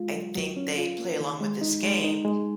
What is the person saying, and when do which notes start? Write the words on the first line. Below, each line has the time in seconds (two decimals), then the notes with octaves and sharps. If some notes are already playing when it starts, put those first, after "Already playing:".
I think they play along with this game
Already playing: G#3 F4
0.15 F#3
0.36 F#3
0.57 C#4
0.78 F4
0.99 A#3
1.20 D#3
1.41 G#3
1.61 D#4
1.83 G#3
2.04 D#4
2.25 G#3